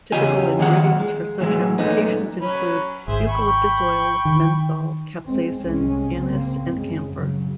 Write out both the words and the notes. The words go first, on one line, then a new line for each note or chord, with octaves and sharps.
Typical ingredients for such applications include eucalyptus oils, menthol, capsaicin, anise and camphor.
E2 C#3 F4 G4 D#5 G#5
F2 A#2 D#3 F3 G#3 F#5
G#3
A2 E3 F#3 G#3
F#2 A#2 A3 B3 D#4
F#3 C#4 B5
G#1 G#4 C5 E5
G5 B5 C#6
D#3
G#3 C4
C2 C3 G#3 C#4
C#3 A#3 C4
F#2 C#3 G#3
C#3 F#3